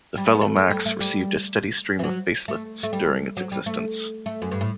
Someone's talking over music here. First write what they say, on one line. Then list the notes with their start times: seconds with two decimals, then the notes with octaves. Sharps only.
The Fellow Max received a steady stream of facelifts during its existence.
0.17 G3
0.26 A3
0.35 B3
0.41 A3
0.56 A3
0.71 G3
0.86 A3
1.00 G3
1.99 E3
2.04 F#3
2.48 A3
2.83 A3
2.93 G3
3.37 F#3
3.52 G3
3.66 A3
4.26 A3
4.42 F#2
4.51 G2
4.61 A2